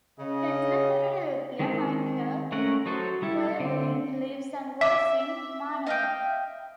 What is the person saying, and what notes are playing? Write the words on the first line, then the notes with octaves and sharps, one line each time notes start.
Contemporary luthier Michael Koeberling lives and works in Murnau.
C#3 D#5
D#3 G#3 C4
G#3 A3 C#4 A#4 F#5
F#3 D#4 F#4 A4 C5
G3 E4 A4
D3 C4
E5 D6
D#5 F5 G5